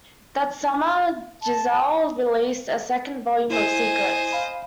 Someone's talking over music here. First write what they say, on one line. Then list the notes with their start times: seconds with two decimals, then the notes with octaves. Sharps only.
That summer, Geisel released a second volume of "Secrets".
1.43 A5
3.50 E4 C5 D#5 G#5
4.33 F5 B5